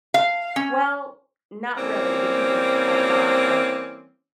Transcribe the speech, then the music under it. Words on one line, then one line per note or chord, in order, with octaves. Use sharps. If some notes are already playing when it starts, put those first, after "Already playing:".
Well, not really because it's a lot of
F5
C#4
E3 G3 A#3 C4 C#4